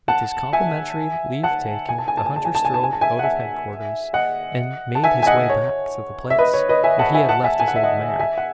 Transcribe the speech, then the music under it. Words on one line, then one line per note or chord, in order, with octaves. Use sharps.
With this complimentary leave-taking the hunter strode out of head-quarters, and made his way back to the place where he had left his old mare.
F#5 A5
E5 G#5
F#5 A5
G#5
A5
G#5
A5
G#5
A5
G#5
A5
G#5
A5
G#5
A5
E5 G#5
F#5
E5 G#5
D#5 F#5
A5
E5 G#5
G#5
D#5 F#5
C#5
E5
B4 D#5
C#5
B4 D#5
E5 G#5
F#5 A5
E5 G#5
F#5 A5
E5 G#5
G#5
F#5
E5
D#5 F#5
E5 G#5
F#5